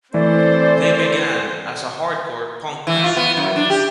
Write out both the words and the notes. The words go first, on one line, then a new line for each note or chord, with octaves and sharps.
They began as a hardcore punk band.
E3 A3 C4 A4 C5 D5
E3
F4
B3
F#2
D4
G4